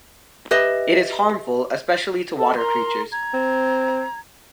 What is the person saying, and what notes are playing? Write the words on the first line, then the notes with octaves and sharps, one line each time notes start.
It is harmful especially to water creatures.
G4 B4 D#5 E5
A4
A#4 A#5 C6
A#5 G#6
C4